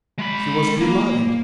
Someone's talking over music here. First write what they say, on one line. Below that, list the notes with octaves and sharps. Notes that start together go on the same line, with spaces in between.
He was beloved.
G#3 B5
A#3